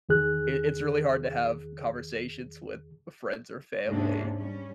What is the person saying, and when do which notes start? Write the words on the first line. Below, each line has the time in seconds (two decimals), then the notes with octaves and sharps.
it it's really hard to have conversations with friends or family
0.09 E2 D#3 G#4 F#6
3.86 D#2 G#2 C3 C#4 D4
4.36 G3 C#4